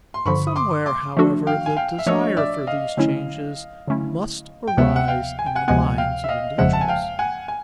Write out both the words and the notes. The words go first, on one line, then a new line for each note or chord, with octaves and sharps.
Somewhere, however, the desire for these changes must arise in the minds of individuals.
C6
G2 D3 F3 B5 C#6
D#6
C6 D6
C6 D6
F3 A3 D4 F#4 A4
F5 G5
G#5
F5 G5
E5
F3 A3 D4 F#4 A4 C#5 D#5
D5 E5
D#5 F5
D3 F#3 A3 C#4 E4
D3 F#3 A3 C#4 E4
G5
D2 C3 F3 G#3 B3 E5 F#5
F#5
F5 G5
G#5
G5
F#5 G#5
D2 C3 F3 G#3 B3 F#5 G#5
F5 G5
E5
D#5 F5
G1 F2 C#3 F3 G#3 E5 F#5
A5
G#5
F5 G5
F#5 G#5
G#5